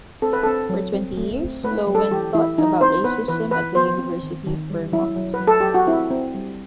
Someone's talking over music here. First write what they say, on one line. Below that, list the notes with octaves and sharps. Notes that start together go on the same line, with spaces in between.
For twenty years, Loewen taught about racism at the University of Vermont.
C4 A4
B4
C4 A4
F#3
C4
A3
C4
A3 B4
F#3
A4
E3 G4
E3 E4
E3 D#4
C4 C5
B3 B4
E3 B4
E3 B4
B3 C5
C4
D#3
D#3
G3
F#3 E4
F#3
B4
F#3
A4
F#3 G4
F#4
C4 E4
C4
G3